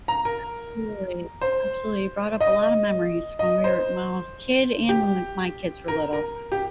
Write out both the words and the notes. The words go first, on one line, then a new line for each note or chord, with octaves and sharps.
Absolutely. Absolutely. You brought up a lot of memories when we were when I was a kid and when the my kids were little.
A#5
A#4
C5
D#5
D#5
C5
G4
A#4
A#4
G4